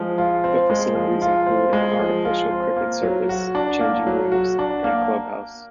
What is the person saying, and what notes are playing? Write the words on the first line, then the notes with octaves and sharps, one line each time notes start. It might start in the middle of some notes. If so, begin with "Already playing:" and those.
The facilities include an artificial cricket surface, changing rooms and club house.
Already playing: F3 G#3
F4
C4
G#3
F3
F4
C4
G#3
F3
F4
C4
A#3
F#3
F#4
D4
A#3
F#3
F#4
D4
A#3